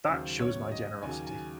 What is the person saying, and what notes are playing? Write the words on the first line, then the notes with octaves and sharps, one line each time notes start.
That shows my generosity.
D#2 C#3 F#3 C5
C#5
D#5
D#2 C#3 F#3 G#5
G#5